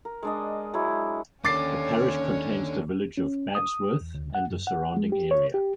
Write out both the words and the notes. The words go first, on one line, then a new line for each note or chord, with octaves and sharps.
The parish contains the village of Badsworth and the surrounding area.
A#4
G#3 D4 D#5
F#3 G#3 E4
D#2 C#4 D4 A4 C#5 D6 A6 C7
C#4
D#6
E2
D2
F#5
F#2
F#5
G#3
G4
C#5
G4